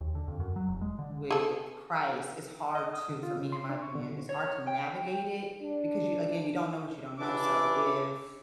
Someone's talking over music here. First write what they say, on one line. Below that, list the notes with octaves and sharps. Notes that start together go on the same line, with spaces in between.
with Christ, it's hard to for me, in my opinion, it's hard to navigate it, because you again, you don't know what you don't know, so if
D#2
D3
F2
F#2
F#3
F1
G#3
D3
G#4 A4
D#5
D#6
D3
F4
C#3
C6
D4
C#6
D3
C#5
G5
D4
C#2 G2 E3 D4 E5 D6